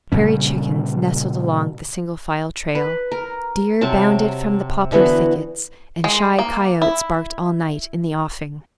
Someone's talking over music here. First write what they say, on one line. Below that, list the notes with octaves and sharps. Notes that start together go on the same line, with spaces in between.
Prairie chickens nestled along the single-file trail. Deer bounded from the poplar thickets and shy coyotes barked all night in the offing.
A#2 C#3 G3 C#4
B4
A#4
C3 F#3 C4 A5
D3 E3 B3 F#4
G#3
A#3
E4